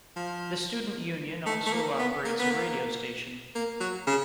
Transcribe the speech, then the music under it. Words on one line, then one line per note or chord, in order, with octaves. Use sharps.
The student union also operates a radio station.
F3
A3
A3
A#3
B3
A#3
B3
A#3
A#3
F#3
C#3